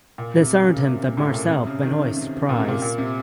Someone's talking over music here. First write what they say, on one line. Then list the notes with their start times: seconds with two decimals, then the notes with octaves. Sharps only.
This earned him the Marcel Benoist Prize.
0.18 A#2
0.40 C3
0.62 C#3
0.84 C3
1.17 A2
1.34 A#2
1.50 C3
1.67 C#3
1.83 D#3
2.16 C3
2.49 A#2
2.59 C3
2.68 A#2
2.82 A#2
2.98 C3